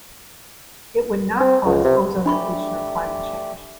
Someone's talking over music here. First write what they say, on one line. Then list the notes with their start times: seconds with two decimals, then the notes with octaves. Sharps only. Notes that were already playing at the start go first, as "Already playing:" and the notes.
It would not cause ozone depletion or climate change.
1.40 C4
1.66 C#2
1.84 C3
2.26 A3 D4 G4 D5 B5 C#6